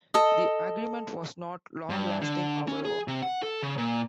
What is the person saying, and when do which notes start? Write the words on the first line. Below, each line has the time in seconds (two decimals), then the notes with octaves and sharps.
The agreement was not long-lasting, however.
0.14 A4 D#5
1.89 G2
2.22 D3
2.68 C#4
2.85 G#4
3.08 C3
3.22 F#5
3.43 A4
3.63 C#3
3.78 A#2